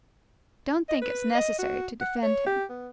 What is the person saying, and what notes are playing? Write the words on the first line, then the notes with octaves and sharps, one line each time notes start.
Don't think it's necessary to defend him.
D#5
B4
D#5
F#4
F#5
C#5
G4
B3